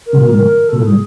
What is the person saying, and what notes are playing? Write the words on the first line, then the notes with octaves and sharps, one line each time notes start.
Mhm. Mhm.
A#4
A#4
A#4
A4
G#4